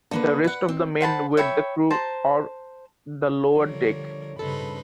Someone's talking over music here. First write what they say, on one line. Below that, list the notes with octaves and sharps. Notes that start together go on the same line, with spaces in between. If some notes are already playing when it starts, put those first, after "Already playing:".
The rest of the men were the crew, or the 'lower deck'.
D3 A#3 B4
B4 F#5
C4
C5 F#5 A5 B5
C#5 E5 G5 B5
C5 A5 A#5
D3 F3 G3 A#4 C#5
G2 C#3 D#4 A4 B4 C5 B5